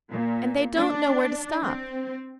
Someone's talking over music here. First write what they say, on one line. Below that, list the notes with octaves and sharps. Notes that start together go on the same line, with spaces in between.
And they don't know where to stop.
A#2
D4
C4